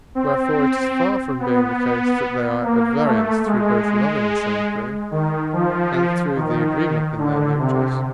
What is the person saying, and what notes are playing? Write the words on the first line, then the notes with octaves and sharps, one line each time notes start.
Wherefore it is far from being the case, that they are at variance through both loving the same thing, and through the agreement in their natures.
C4
B3
A#3
A3
G#3
D#3
F3
D#3
D3
C3